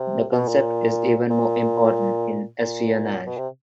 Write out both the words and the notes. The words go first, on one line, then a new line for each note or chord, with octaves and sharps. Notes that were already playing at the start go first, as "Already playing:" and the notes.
The concept is even more important in espionage.
Already playing: C3
B2
A#2
A#2
A#2
B2
C3